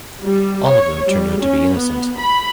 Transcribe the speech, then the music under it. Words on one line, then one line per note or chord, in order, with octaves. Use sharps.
All of them turned out to be innocent.
G3
C#5
G3
C#4
B3
B5